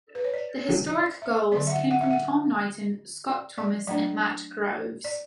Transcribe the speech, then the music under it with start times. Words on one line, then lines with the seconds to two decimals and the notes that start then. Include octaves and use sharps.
The historic goals came from Tom Knighton, Scott Thomas and Matt Groves.
0.15 B4
0.24 C#5
0.34 D5
0.64 C#5
0.92 D5
1.22 E5
1.52 D3 F#3 B3 D5
1.67 E5
1.71 F#5
1.91 F#5
2.01 E5
2.11 F#5
3.29 D5
3.58 D5
3.87 F#3 A3 D4 D5
5.05 D5